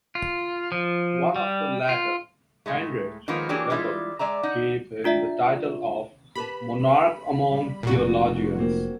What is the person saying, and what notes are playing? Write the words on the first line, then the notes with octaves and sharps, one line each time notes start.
One of the latter, Heinrich Bebel, gave him the title of "monarch among theologians".
F4
F3
G3
F4
A2 G#3 A3
D#3 F3 G#3 A#3 B3 F4
E3 F#3 A#3 D4 G4 G#4
E3 G3 G#3 E4 F4
G#3 D5 E5 A#5
D#4 F#5
D4 F4 D5 E5
G4 B4 A5 B5
G3
F1 A#2 F#4
F#3 A#3 C4